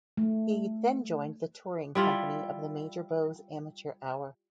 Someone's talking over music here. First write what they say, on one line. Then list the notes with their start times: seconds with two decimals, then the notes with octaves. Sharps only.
He then joined the touring company of the "Major Bowes Amateur Hour".
0.17 A3
1.95 G3 E4 F4